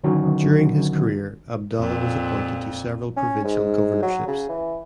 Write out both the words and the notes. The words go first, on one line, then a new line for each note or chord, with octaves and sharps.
During his career Abdallah was appointed to several provincial governorships.
D3 D#3 F#3 C#4 F#4 A#4
F2 A#2
C#4
G#2
F#3
C#3
E3